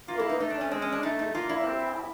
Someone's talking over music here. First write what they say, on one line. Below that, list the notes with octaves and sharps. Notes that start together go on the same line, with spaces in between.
but we're both mature enough
A#3 F4
E4
D#4
A3 D#4
D4
C#4
G#3 C4
C#4
D4
A3 D#4
D#4
A#3 F4
E4
C4